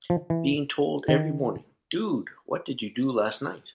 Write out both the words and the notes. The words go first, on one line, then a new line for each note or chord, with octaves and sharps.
Being told every morning, Dude, what did you do last night?
F3
E3
D#3